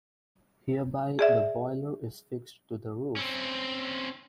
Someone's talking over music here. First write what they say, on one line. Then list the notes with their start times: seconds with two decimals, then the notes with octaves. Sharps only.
Hereby the boiler is fixed to the roof.
1.19 G#4 D5 E5
3.16 C4 C#4